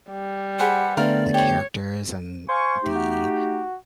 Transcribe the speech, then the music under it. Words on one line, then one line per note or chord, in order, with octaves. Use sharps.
the characters and the
G3
G#4 B4 C5 F#5
D3 A3 B3 A#4 D5 F5 C6
G4 C5 C#5
C5 F5 G#5 C#6
A3 D#4 G4
F#4